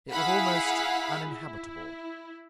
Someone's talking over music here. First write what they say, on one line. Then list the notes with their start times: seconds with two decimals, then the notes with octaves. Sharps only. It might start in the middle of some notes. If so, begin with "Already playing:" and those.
It was almost uninhabitable.
0.11 E4 G#4 F5 F#5 B5
1.28 E4